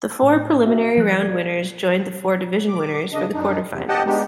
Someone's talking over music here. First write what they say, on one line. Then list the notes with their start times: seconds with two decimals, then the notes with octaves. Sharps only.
The four preliminary round winners joined the four division winners for the quarterfinals.
0.23 A2
0.66 F#4 E5
0.97 F3 G3 F#6
1.20 D5 G#6
2.68 D6
3.13 C#3 D4 D#5
3.34 F#2 D4 D#4
3.70 E2 C3
3.89 G4 D#5 F#5 G5 A5
4.06 G#3 B3 D4 D#4 G4